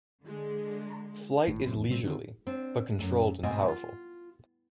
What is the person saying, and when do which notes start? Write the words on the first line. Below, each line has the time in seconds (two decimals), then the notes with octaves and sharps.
Flight is leisurely, but controlled and powerful.
0.24 D3 G#3
1.48 G#1 A2
1.62 F#2 C3
1.77 E2
1.88 A2 C3 G3 C4
2.03 D3 D#3 B3 C4
2.47 C4 D4
2.98 F#2 A3
3.43 G#2 B2 A3 C4 D#5 G#5
3.68 F4